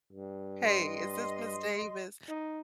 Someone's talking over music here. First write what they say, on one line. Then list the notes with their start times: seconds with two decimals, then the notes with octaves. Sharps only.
"Hey, is this Ms. Davis?"
0.13 G2
0.65 D#5 C6
2.29 D#4